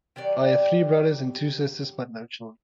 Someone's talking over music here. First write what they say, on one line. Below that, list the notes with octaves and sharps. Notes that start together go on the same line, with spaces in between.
I have three brothers and two sisters, but no children.
D#3 F#3 G4 D5